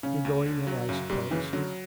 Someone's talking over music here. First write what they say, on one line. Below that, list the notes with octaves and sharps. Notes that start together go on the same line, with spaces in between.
You're going there I suppose.'
C#3 C#4
D2
D3
F#3
F#2 C#3
F#2 G3
C#3 E3
D3 F#3